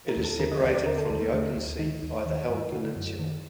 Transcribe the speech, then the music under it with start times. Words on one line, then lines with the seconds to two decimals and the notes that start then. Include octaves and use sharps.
It is separated from the open sea by the Hel Peninsula.
0.09 A#4
0.17 D#2
0.25 A4
0.40 D3 A#4
0.52 D#5
0.63 D#2 D5
0.75 D5
0.86 D3 A#4
0.98 A4
1.10 D#2 A4
1.22 A#3
1.33 D3 A3
1.56 D2
1.79 D#3 D#4
2.03 D#2
2.26 D#3
2.49 G2
2.72 D3 F#4
2.96 F#2
3.19 D#3